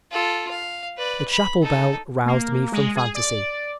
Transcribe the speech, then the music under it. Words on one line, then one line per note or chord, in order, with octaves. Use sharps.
The chapel-bell roused me from phantasy.
F4 A4
F5
B4 D5
B5
D#4 A4
A#3
G#3
G#4
D5